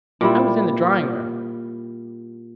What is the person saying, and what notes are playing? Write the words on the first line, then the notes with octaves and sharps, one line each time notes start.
"I was in the drawing-room."
A#2 G3 E4